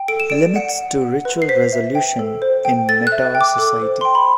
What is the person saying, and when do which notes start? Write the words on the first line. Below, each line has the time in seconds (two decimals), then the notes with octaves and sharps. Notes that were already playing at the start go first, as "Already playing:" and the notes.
Limits to Ritual Resolution in Meta' Society.
Already playing: G5
0.08 A4 D7
0.20 E7
0.30 D5 D7
0.56 F#5
0.78 F#5
1.02 F#5
1.25 B4
1.42 C7
1.49 C5 B6
1.73 E5
1.95 G5
2.19 A4
2.42 C5
2.65 G5
2.89 A4 A6
3.07 F#6
3.12 E5
3.35 G5
3.41 D6
3.58 A4
3.82 C5
4.01 G5 C6
4.15 B5